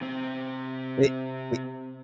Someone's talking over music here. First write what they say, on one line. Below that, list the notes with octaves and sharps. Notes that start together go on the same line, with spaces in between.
It it
C3 C4